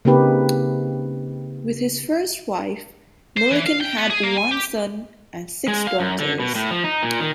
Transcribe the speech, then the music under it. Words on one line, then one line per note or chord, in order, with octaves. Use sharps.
With his first wife, Milliken had one son and six daughters.
C#3 A#3 C4 D#4 G4 B4
C5
E3
F5
G5
B3
G#4
A#3
G#5
G4
G#3
F5
F#2
D3
B2
A2
F3
D#4
A#2
D#3